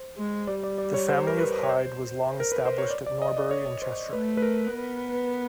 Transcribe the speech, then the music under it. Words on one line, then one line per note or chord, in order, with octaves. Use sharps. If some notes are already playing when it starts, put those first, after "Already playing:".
The family of Hyde was long established at Norbury in Cheshire.
Already playing: C5
G#3
G3 D5
D5
D5
C#5
C5
A#4
B4
C#5
C5
A#4
B4
C5
C#5
D5
D5
D#5
D5
C#5
C5
A3 B4
B4
A#4
B3